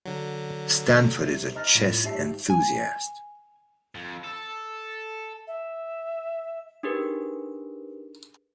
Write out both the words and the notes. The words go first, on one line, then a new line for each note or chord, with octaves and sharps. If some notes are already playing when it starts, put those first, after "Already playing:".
Stanford is a chess enthusiast.
D3 F#3
C3
D#5 A#5 F6 A6 A#6
A2 F4
G#1 G4 E5 A5 C7
G#5
F2
A4
E5
D4 D#4 G4 G#4 A#4 B4